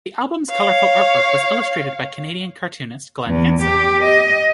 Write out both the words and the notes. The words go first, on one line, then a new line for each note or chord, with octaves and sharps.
The album's colorful artwork was illustrated by Canadian cartoonist Glen Hanson.
C#5 F5
E2
G4
D#5